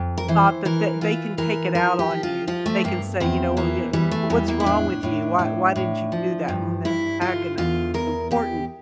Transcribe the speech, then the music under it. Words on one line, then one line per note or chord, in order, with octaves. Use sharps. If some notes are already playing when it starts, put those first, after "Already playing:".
thought that th they can take it out on you. They can say, "You know, well, you you, what's wrong with you? Why why didn't you do that?" And they agoni I think important
Already playing: F2
A#4
E3 C5
E3 A#4
E3 F4
E3 A#4
F3 A#4
G4
F3
F4
F3 F4
A3
G2 A#3
E2 C4
E3 A#3
E3 G3
A3
E2 G3
A#3
E4
A2 D4
A2
A2
A2
F3
G2
G2 E4
D3 F4
E2 F4
E2 A#4
E2 G4